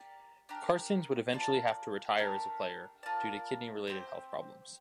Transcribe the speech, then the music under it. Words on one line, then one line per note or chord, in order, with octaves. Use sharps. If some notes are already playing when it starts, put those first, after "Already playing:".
Carstens would eventually have to retire as a player due to kidney-related health problems.
Already playing: G4 A#4 D5
D4 G4 A#4
F4 A#4 D5 A5
A3 D4 G4 A#4
F4 A#4 D5 A5
C4 G4 C5